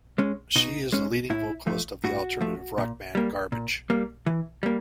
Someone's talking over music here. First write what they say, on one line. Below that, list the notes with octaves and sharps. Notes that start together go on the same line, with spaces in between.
She is the lead vocalist of the alternative rock band Garbage.
G#3 C#4
B2 D#4
G#3 C#4
A2 E4
F3 A3
A2 F#4
F3 A3
A#2
G3 A#3
A#2
G3 A#3
E3
G3 A#3